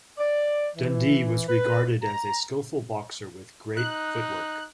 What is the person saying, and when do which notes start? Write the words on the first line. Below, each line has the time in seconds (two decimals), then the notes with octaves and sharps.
Dundee was regarded as a skillful boxer with great footwork.
0.18 D5
0.77 E3
1.48 B4
2.02 A#5
3.77 D#4 F#6